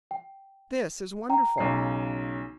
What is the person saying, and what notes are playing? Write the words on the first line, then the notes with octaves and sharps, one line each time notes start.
This is wonderful!
G5
G5 A#5
B1 C#3 C7